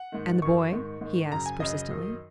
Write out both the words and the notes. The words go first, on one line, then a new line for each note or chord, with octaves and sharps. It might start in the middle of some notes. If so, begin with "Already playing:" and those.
"And the boy?" he asked, persistently.
Already playing: F#5
G#2 D#3
F#2 D#3 C#6
G#2 D#3
G#2 D#3
F#2 C#3 A#5
G#5
F#2 C#3 D#5
F#2 D#3